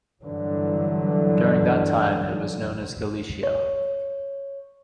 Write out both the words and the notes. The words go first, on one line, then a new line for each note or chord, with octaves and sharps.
During that time it was known as Galicia.
G2 D3 E3 F#3
C#5